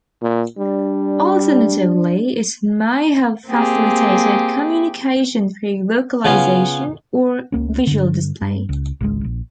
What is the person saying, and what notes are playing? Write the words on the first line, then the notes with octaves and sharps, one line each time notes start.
Alternatively, it may have facilitated communication through vocalization or visual display.
A#2
G3 D4
A#3 C4 G4 G#4
C#3 B3 C#4 F4
C#2 A#3 C#4
G2 D3
G2
C#2
G#1 C#2 G#3
A#1